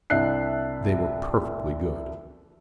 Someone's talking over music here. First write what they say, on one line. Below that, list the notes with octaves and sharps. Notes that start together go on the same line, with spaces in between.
They were perfectly good.
C2 D4 E5 A5 F#6 C7